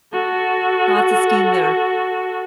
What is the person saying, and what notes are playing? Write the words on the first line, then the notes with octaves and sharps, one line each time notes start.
lots of skiing there,
F#4 A4